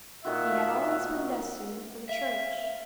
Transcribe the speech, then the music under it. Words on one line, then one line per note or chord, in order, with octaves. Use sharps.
He had always been destined for the church.
A#2 D#3 F#4 E5
E5 F5